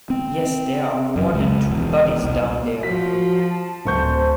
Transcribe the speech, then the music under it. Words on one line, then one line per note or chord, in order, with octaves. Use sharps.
Yes, there are more than two bodies down there.
C4
F#2
C#2
E1
C2
F3 F#4 B6
A5
D1 C5 C#6 G6